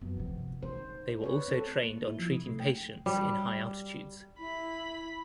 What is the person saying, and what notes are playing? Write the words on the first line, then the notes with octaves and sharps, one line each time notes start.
They were also trained on treating patients in high altitudes.
F#2 B3
C3 F3
D#4 C5
B4 C#5 D5
C4 A4
A#3
E4
F3
C3
A3
G5
G3
E4 B5